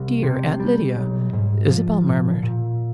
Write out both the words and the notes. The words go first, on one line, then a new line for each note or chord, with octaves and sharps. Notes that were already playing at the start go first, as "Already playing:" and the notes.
"Dear Aunt Lydia," Isabel murmured.
Already playing: C2
C3
G3
B1
G#2
F3
A#2
A#2